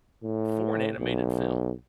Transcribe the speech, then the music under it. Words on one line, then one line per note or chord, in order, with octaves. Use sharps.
for an animated film,
A2
B1